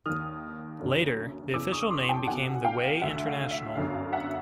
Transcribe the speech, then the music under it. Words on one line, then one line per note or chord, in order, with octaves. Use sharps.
Later the official name became The Way International.
D#2 D#3 D#6 F6
F#1 F#2 D3
E2 C#3 E3 D6 E6
C#6 D#6
C6 D6
G5 A5
B1 B2 F#5 G#5
F5 G5
D2 D3 E5 F#5
F5
E5
G1 F#2 D3 F5
F5
E5 F#5